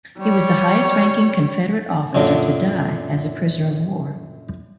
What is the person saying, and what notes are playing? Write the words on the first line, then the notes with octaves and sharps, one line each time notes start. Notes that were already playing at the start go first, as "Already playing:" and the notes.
He was the highest ranking Confederate officer to die as a prisoner of war.
G3 C#5
F#2 A#2 D3